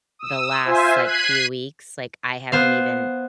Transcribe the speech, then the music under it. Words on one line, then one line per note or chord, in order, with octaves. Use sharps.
the last, like, few weeks, like, I haven't even
D#6 E6
F4 C5 E5 G#5
F#6 G#6 B6 C7 D#7
B3 C5 F5